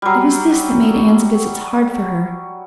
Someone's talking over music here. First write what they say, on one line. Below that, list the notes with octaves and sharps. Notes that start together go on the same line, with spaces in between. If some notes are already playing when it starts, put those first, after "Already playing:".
It was this that made Anne's visits hard for her.
F#3 G3